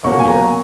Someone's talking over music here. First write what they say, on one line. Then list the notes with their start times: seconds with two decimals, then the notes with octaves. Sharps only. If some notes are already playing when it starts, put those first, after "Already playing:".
Oh, yeah.
0.04 B2 F#3 A#3 C#6
0.20 G#5
0.28 A#5